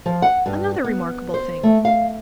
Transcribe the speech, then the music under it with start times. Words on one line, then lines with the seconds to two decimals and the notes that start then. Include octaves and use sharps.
Another remarkable thing.
0.06 F3
0.22 F#5
0.46 G2
0.84 B3
1.34 C5
1.63 A3
1.85 F5